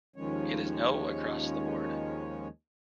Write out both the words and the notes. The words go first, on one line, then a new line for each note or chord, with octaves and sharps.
It is 'no' across the board.
D#2 D#3 F3 G#3 C#4 C#5